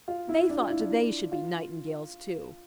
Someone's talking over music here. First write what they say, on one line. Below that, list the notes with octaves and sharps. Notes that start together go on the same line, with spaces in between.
They thought they should be nightingales too.
F4
E4
D4
F4
E4
D4
E4
F4